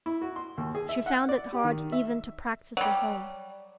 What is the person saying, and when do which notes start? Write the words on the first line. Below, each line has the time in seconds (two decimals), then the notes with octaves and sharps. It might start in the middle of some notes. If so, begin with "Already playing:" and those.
She found it hard even to practice at home.
0.06 E4
0.21 F#4
0.36 C6
0.58 D#2
0.75 G#4
0.89 E5
1.06 F#5
1.29 D5
1.53 G4
1.64 D#3
1.92 E5
2.77 F#3 G3